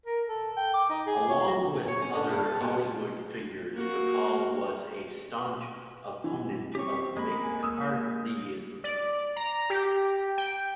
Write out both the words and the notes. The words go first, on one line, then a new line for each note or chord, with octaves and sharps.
Along with other Hollywood figures, Bacall was a staunch opponent of McCarthyism.
A#4
A4
G5
D6
D#4
G#4
C#5
F#4
C#5
C#4
D3
G2
A4
B2
A#3 F#4
E3
C4 C#4 G4 C#6
G#3 A#3 B5
G#5
D#6 E6
D5
A#5
G4
G5